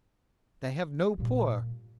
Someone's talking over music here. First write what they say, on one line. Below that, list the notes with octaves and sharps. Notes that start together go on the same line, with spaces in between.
They have no poor.
A#2 G3